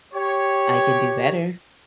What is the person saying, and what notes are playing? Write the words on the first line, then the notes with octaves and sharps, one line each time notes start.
I can do better,
G4 C#5